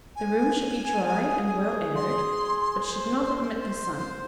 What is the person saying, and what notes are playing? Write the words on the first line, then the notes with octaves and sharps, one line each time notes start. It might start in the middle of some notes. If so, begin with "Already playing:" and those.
The room should be dry, and well aired, but should not admit the sun.
G#5
G#4
C6
C5 C6
C6
C6
C6
C6
C6
C6